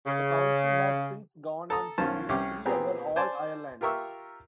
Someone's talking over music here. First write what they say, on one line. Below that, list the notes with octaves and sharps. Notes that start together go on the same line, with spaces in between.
The county has since gone on to win three other All-Irelands.
C#3
A4 A#5 D#6
B1 D#3 C#4 F4 C5 A5
C2 C#4 G4 D6
A#2 B3 C4 G4 G#4 A#5
C5 D5 G#5 A5 C6 D6
F4 G4 A#4 E5 C#6 E6